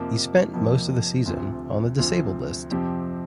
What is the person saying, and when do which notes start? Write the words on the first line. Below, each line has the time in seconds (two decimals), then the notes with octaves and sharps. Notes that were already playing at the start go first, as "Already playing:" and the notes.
He spent most of the season on the disabled list.
Already playing: F2 C3 F3 A#3
0.54 F2 C3 F3 A#3
1.26 D2 C3 F3 C4 F4
1.98 D2 C3 F3 C4 F4
2.70 F2 C3 F3 C4 G4